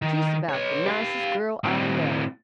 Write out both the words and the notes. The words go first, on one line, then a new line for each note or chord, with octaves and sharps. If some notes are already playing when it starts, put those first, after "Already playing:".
"She's about the nicest girl I know."
D#3
B4 C#5
G4 F5
A2 C4